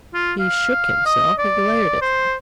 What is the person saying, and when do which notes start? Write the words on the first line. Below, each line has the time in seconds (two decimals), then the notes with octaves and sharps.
He shook himself and glared at them.
0.14 F4
0.39 F5
1.06 D#5
1.39 D5
2.02 C5